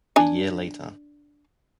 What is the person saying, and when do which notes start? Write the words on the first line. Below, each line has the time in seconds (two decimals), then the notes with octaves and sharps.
A year later.
0.16 D4 G#5